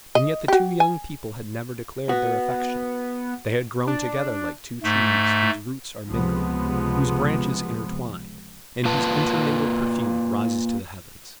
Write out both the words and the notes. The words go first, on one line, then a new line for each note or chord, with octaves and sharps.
And yet the two young people had never declared their affection; they had grown together like two trees whose roots are mingled, whose branches intertwined, and whose intermingled perfume rises to the heavens.
D#5
F#4 G4
G#5
B3 F#4
D4
G#2 A3
C#2 C3 F3 G#3 B3
A#3 F4 B4 A5